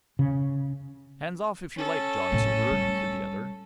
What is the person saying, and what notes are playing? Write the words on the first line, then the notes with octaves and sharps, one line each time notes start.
"Hands off, if you like, John Silver," said the other.
C#3
C#4 A4
A2 A3
G3